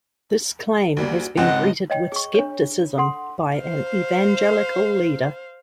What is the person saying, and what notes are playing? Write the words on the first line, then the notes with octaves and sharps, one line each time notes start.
This claim has been greeted with skepticism by an evangelical leader.
D2 G3 A#3
G#1 C#2 C4 D#5 F#5
C#5 D#5 G5
G#4 C#6
D4 C#5
A4 F#5 C6
C5 F5